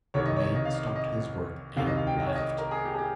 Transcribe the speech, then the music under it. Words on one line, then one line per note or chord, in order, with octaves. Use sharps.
The man stopped his work and laughed.
C2 C3 D#3 C#5
D#5
C#5
D#5
F5
D#5
D#5
C2 C3 D#3 F5
D#5
F5
G5
D#5
C#5
D#5
A#4
G#4
G4
G#4
G4